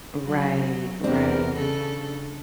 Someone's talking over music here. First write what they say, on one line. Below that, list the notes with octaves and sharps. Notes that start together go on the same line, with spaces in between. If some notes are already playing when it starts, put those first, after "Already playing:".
Right, right.
F#3
E2 C4 D4 A#4
C#3 D4 A4